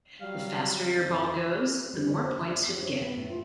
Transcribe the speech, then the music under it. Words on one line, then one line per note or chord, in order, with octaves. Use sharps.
The faster your ball goes, the more points you'll get.
F#3 G3 F5
F2
G3
C#4
C4
E4
D5
F#4
C#5
B3
A2
F4